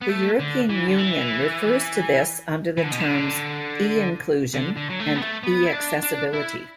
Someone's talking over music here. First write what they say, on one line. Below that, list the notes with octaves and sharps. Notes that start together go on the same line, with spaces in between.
The European Union refers to this under the terms eInclusion and eAccessibility.
B3
A3
D3
E3
D3
E3
E3
D3
B2
D3
D3
D3
F#3
A3
B3
A3
B3
E4
D4
D4
E4